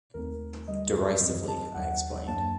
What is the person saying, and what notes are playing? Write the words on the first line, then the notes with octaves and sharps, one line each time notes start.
"Derisively," I explained.
D#2 D#3 A3 C4 A#4
D#2 D3 G3 D#5
F#2 D#3 F#3 C4 D#5
A5
D#2 D#3 F#3 F#5
F#2 F#3 A#3 D4 A5